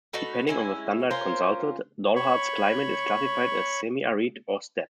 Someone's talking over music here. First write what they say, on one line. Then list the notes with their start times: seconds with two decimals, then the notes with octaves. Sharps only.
Depending on the standard consulted, Dalhart's climate is classified as "semi-arid" or "steppe".
0.13 A3 D#4 F#4 B4
0.47 G#3 C#4 E4
1.11 C#4 F4 A#4 C5
2.16 C#5 B5 C#6